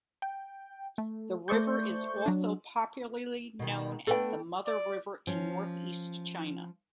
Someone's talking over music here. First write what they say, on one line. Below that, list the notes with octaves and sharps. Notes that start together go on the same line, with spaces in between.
The river is also popularly known as the "mother river" in Northeast China.
G5
A3
A3 C5 D5 C#6 G6
F#3 D4
B2 D#3
A3 B3 D4 A4 G5
D5
F3 C#4